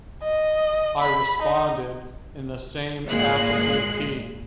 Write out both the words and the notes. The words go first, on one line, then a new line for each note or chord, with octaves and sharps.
I responded in the same affable key.
D#5
B5
D#4
G#1 A#2 G#3 F#6 C7